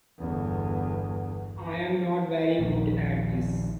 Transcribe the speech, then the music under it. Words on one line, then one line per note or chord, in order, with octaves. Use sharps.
I'm not very good at this.
G1 E2
D#1 A#1 D#2 D#3